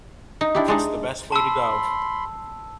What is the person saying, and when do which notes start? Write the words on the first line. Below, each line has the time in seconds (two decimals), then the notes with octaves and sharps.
It's the best way to go.
0.41 D#4
0.55 D4 E4 G4
0.68 G#3 D4 D#4
1.32 A5 B5 C6 E6